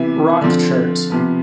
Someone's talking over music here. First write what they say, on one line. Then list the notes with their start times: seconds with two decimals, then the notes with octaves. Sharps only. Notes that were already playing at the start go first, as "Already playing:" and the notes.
Rock Chart.
Already playing: C3 E3 B3 E4
0.41 D3 F3 C4
1.10 C3 F3 B3